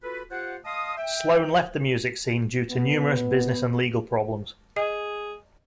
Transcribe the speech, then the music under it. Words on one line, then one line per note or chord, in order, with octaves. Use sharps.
Sloan left the music scene due to numerous business and legal problems.
F4 F#4 A4 B4
F4 G4 C5 F5 F#5
D#5 F5 A5 C6 D#6
E5 G5
B2 B3
G#4 D#5